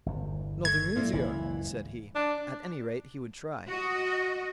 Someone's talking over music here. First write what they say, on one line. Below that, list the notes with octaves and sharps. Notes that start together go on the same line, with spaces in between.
'Nothing easier', said he; at any rate he would try.
G1 E2
A3 G#6
A#2 A#3 E4
F#1 C#2 E3 E4
D4
F#4 D#5